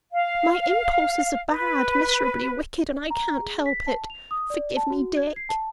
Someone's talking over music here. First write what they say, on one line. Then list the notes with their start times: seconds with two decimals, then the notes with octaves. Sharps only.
My impulses are bad--miserably wicked,--and I can't help it; forgive me, Dick!
0.12 F5
1.51 B4
3.11 A#5
3.41 G#4
3.66 B6
3.87 A5
4.10 F7
4.31 D#6
4.50 D5
4.77 A5
4.90 F#4
5.17 G#6
5.36 C7
5.49 A5